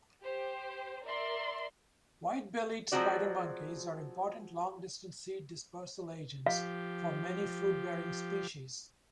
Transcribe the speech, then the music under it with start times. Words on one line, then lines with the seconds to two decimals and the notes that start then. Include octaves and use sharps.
White-bellied spider monkeys are important long-distance seed dispersal agents for many fruit-bearing species.
0.23 G4 C5
1.04 A#4 D5 E5 C6
2.92 F3 F#3 G#3 C4 F#4 D5
6.46 F3 G4 F5